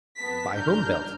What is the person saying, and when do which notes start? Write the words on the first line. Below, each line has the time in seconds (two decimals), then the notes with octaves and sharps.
By whom built?
0.18 F2 B3 A5 B6
0.55 G1 D4 A#5 F6 G6